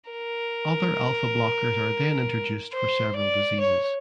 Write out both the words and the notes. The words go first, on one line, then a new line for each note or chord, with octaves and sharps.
Other alpha blockers are then introduced for several diseases.
A#4
C5
D5
C#5